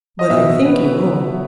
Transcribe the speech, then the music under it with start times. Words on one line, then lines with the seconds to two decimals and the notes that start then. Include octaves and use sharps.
But I think you're wrong.
0.19 D#5
0.30 B2 E5
0.65 B3